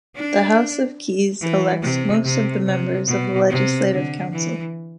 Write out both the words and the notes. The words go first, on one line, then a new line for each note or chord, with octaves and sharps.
The House of Keys elects most of the members of the Legislative Council.
D4
E3
C3
C3
C3
B2
C3
D3
E3